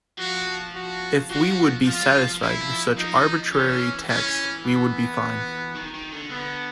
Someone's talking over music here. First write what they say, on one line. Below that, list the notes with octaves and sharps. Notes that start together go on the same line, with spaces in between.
If we would be satisfied with such arbitrary text, we would be fine.
F3 F#4
F#4
F3 F#4
F3 F4
G3
F3
F3
E4
F3 D#4
E3 C#4
E3 C#4
B3
D#3
D#3
D3
D3 B3